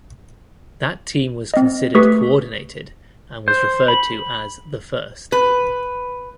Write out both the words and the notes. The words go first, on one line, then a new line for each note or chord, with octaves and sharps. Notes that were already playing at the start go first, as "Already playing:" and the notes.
That team was considered coordinated and was referred to as "the first".
C4 D#5
A3 G4 B4 C#6 D#6 B6
C5
B5
B4